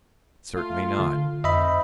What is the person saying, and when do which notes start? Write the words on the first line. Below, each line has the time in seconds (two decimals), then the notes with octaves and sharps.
Certainly not.
0.55 A3 F4
0.99 D3
1.44 F2 D#3 C4 D#5 E5 B5